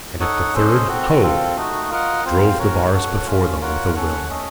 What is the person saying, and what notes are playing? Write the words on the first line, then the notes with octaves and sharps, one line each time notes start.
And at the third "Ho!" drove the bars before them with a will.
D#4 A4 C#5 F#5
C#4 A4 C5 D#5
C4 F#4 A4
C4 F4 A4
A3 D#4 F#4
F4 A#4 D#5 F#5
C4 F4 C5 F5
C#4 F#4 A#4 C#5
F#4 A4 C#5 F#5
A3 C#4 F4
F4 A#4 C#5 F#5
C#4 A4 C#5 F#5
A3 C#4 A4 D#5